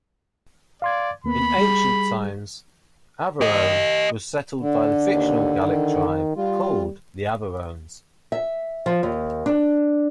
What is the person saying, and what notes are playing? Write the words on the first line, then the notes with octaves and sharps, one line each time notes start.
In ancient times, Averoigne was settled by the fictional Gallic tribe called the Averones.
D5 F5 C6 G#6
D#2 A#3 B3 B5
G3 G#4
G4 D#5
D3
D#2
D#3
G3 F4
E5
F3
D#2
D4